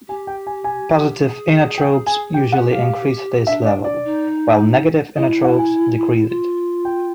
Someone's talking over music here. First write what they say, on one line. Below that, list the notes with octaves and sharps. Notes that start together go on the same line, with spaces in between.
Positive inotropes usually increase this level, while negative inotropes decrease it.
G4 G#5
G5
G#5
G#5
G#4
G5
G#5
G4 G5
F#5
F5
D4 E5
D5
D5
D#4
E4 D#5
F#5
G#5
F4
G5